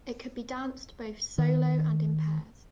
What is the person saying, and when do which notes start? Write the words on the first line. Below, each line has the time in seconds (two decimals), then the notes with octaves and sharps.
It could be danced both solo and in pairs.
1.38 D#3